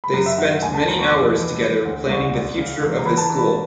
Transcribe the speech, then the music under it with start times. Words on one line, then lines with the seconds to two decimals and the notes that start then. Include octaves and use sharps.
They spent many hours together planning the future of the school.
0.04 B5
0.14 F#2 A#5
0.26 E5
0.38 D#3 F#5
0.62 D2 G#5
0.75 A5
0.87 E3 A#5
0.99 C#6
1.12 F2 D6
1.35 E3
1.61 E3
1.85 D2
2.09 C2 C#6
2.34 C2
2.58 C#3
2.82 E2
2.99 A#5
3.06 E3 B5
3.18 A5
3.22 A#5
3.30 E3
3.38 B5